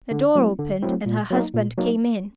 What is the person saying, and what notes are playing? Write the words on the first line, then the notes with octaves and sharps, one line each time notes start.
The door opened and her husband came in.
D3
F#3 A3 C4 E4
D3
F#3 A3 C4 E4
A#2
F#3 A#3 D#4
A#2
F#3 A#3 D#4